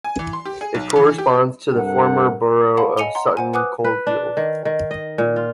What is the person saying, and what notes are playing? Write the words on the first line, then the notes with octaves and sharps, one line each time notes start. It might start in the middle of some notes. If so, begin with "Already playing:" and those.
It corresponds to the former borough of Sutton Coldfield.
G#5
E3
C6
G4
G#4
B1
E3
G4
G2 C3 A4 A#4 F#5
C#5 F5 F#5 A5 B5
D#5 G#5 C#7 D#7 F7 G7
F#5 A#5 C6
C5 F#5 G#5
B4 F#5 G#5 D6 D#6 F#6
B4
D4
D#3
D#3
D#5
A#2
F4